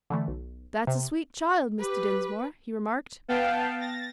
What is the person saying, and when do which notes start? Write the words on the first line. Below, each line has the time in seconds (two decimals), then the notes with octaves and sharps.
"That's a sweet child, Mr. Dinsmore," he remarked.
0.10 D3 E3 A3
0.28 B1
0.87 C3
1.80 G4 B4
3.28 B3 F5 G5 A5
3.80 A6 A#6